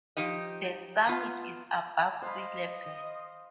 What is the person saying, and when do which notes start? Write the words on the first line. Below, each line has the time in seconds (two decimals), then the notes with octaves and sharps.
The summit is above sea level.
0.17 F3 D#4 G4 D#5
1.07 B3 F4
2.22 C5 D#5 F5 B5